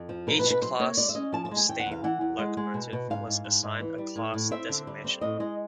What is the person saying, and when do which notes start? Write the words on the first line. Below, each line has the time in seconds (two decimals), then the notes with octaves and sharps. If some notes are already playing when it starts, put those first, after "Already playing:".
Each class of steam locomotive was assigned a class designation.
Already playing: F2
0.09 F3
0.27 B2 A#4
0.39 B4
0.44 B2
0.50 B4
0.62 F#3 C5
0.79 A#3 C#5
0.97 G#3 D5
1.09 E5
1.15 C#4 D#5
1.32 F3 A5
1.45 A5
1.51 G#3
1.57 G#5
1.69 E2 G5
1.80 F#5
1.86 E2
1.91 F5
2.04 E3 F#5
2.21 E2
2.39 G#3
2.57 G#3
2.74 B2
2.93 B2
3.10 G#2 F5
3.27 G#2
3.45 G#2
3.63 G#2
3.80 E3
3.98 G3
4.16 A2
4.34 A2
4.51 C4 E5
4.69 D3
4.87 G3
5.04 C4
5.21 A2 D#5
5.40 G#3 D#5